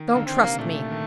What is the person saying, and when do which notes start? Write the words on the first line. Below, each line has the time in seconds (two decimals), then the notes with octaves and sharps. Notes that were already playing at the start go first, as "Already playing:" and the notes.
"Don't trust me!"
Already playing: D#3
0.10 A#3
0.15 D3
0.26 C4
0.36 C3
0.43 A#3
0.58 A#2 A3
0.91 D#3